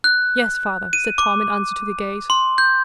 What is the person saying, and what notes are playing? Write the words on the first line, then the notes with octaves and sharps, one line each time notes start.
"Yes, father," said Tom, in answer to the gaze.
F#6
D#7
D6
C6
G6